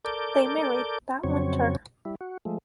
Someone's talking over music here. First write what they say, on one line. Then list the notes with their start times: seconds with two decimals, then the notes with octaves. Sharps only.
They married that winter.
0.05 A4 A#4 D5 D6 G6
1.24 F2 C#3 F#3 C4 C#5
2.05 G3 E4
2.21 F#4
2.45 F3 G#3 A3